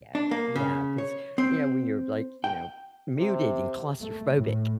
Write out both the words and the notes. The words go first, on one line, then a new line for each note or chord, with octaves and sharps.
Yeah. Yeah, 'cause, you know, when you're, like, you know, muted and claustrophobic,
D4
A#3
C#3
C#5
C4
G5
C3
A3
A2